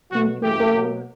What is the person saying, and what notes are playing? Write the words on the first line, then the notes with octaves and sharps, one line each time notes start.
future goals,
B2 F#3 F#4
F#2 C#3 E3 G4
B2 F#3